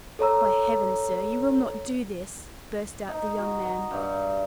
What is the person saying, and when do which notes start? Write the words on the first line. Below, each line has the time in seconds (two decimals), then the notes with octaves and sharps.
"By Heaven, sir, you will not do this!" burst out the young man.
0.19 A4 C#5 A#5 E6
3.08 D#4
3.38 F#4
3.63 A#5
3.91 G2